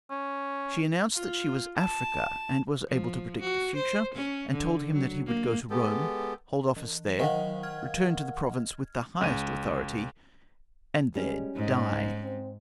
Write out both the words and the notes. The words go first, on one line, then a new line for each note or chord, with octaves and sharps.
She announced that she was Africa, and was able to predict the future, and told him that he would go to Rome, hold office there, return to the province with the highest authority, and there die.
C#4
F4
A5
F3
F#4
C5
C#4
D3
F#3
A#3
G#3 B3 G4 A4
E3
D#3 F#3 C5 D#5 F5 F#5
F6 G#6
C#2 D#7
G3 G#3 C#4
G#2 D#4
C4